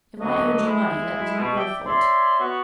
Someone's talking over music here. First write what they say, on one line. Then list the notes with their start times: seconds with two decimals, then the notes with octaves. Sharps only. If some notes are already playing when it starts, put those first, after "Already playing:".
If I owed you money, that was not your fault.
0.20 D2 D3 F#3 F#4 D#5
0.66 G#3 E4
1.38 B2
1.57 D5 E5 G5
1.86 C#5 D5 E5 C6
2.39 B3 F#4